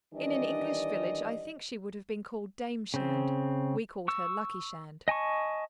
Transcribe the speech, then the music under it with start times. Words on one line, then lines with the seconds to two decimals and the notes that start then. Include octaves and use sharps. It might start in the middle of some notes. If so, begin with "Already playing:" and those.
In an English village I think she would have been called Dame Shand: we called her Luckie Shand.
0.13 D#3 E3 G3 D4 D5 D#5
2.94 C#3 C4
4.08 C#6 E6
5.08 D#5 G#5 A5 C#6